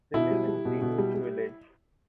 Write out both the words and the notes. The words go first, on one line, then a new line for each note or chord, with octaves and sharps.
They live in Greenwich Village.
B2 E4
G3
G3
B2
B2
G3
G3